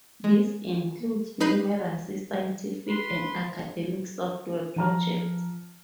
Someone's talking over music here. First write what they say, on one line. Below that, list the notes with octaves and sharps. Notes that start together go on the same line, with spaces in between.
This includes numerous scientific and academic software projects.
G#3
D#4 B4 B5 G6 C7 D#7
B4 B5 C6
F3 A5 A#5 F6